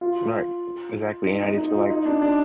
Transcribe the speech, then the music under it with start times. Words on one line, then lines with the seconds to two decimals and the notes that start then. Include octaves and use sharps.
Right, e exactly, and I just feel, like
0.01 F4
1.27 D#4
1.43 D#4
1.58 D#4
1.74 F4
1.90 D#4
2.06 D4
2.22 D4